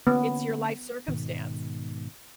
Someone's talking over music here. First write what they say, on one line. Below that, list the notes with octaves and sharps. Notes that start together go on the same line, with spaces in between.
it's your life circumstance.
D3 A#3 B3 C#4
G#2 B2 D#3